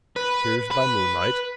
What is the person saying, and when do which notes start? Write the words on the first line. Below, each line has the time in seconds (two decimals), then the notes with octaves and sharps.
Piers by moonlight.
0.16 B4
0.71 B4